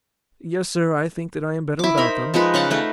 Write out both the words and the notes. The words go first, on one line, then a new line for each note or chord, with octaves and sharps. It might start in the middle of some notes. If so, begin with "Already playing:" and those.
"Yes, sir; I think that I am better without them."
E4 D6
D#4 A#4 C5 B5
F3 G#3 D#4 B4
C#3 F5 F#5 A5
A3 D#4 B4